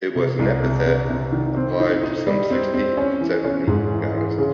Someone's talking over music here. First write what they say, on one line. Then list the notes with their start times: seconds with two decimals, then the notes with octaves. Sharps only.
It was an epithet applied to some sixty-seventy goddesses.
0.15 C3
0.39 C2
0.62 C3
0.85 C3
1.09 C3
1.32 D#3
1.56 C4
1.80 D#4
2.03 D#4
2.27 G3
2.50 C4
2.74 C4
2.97 C#4
3.21 E3
3.44 C#4
3.67 G#2
3.92 E3
4.15 E3
4.38 C#3